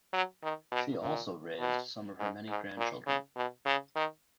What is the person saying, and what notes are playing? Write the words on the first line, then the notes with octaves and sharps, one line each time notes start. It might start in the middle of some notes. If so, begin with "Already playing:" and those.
She also raised some of her many grandchildren.
F#3
D#3
B2
A#2
B2
G#2
G#2
A#2
C#3
B2
C#3
D#3